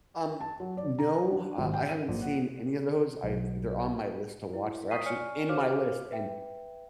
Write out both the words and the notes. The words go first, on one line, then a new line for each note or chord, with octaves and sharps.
Um, no, uh, I haven't seen any of those. I've they're on my list to watch. They're actually in my list, and
A5
F#3
D5
A#5
D4
G#1
G5
D#7
A#1
F#5
B1
E4
C#6 D#6 B6 C7 D#7
C#5 D5 G#5 C#6 F6 C#7
F#4 C5 C#5 F5 D6 F6
B4 E5 G5